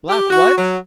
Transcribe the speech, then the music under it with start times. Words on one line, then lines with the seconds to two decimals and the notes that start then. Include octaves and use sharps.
"Black what?"
0.09 G4
0.30 F#4
0.56 F#3